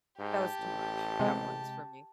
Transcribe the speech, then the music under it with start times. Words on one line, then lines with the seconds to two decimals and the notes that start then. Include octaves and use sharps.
That was too much at once for me.
0.19 G#2 G4 A5
0.60 A1
1.19 C3 G#3